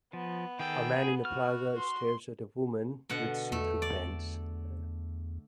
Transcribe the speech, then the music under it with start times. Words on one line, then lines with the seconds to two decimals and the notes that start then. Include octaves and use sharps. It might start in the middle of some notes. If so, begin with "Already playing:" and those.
A man in a plaza stares at a woman with see through pants.
0.13 F3 B3
0.60 D#3 G#4 A4 G5
0.97 G#4
1.25 F#4 F6
1.77 C6
3.09 B2 D3 F#5
3.52 E2 A3
3.82 D5